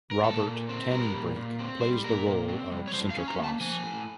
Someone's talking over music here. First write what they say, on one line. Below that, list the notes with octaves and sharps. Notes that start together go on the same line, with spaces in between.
Robert ten Brink plays the role of Sinterklaas.
A#4
A#2 A4
A#2
C4
G3 A#4
A#2
A#2
C4
G3 C5
A#2 A#4
A#2
C4
G3
C#5
A2 C5
F5
C#4
A#5
A#3 A5
F3 G#5
A2